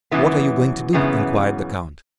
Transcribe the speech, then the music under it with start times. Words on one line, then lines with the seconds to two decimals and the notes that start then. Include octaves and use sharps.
"What are you going to do?" inquired the count.
0.11 F#2 C#3 E3 B3
0.93 F#2 C#3 E3 B3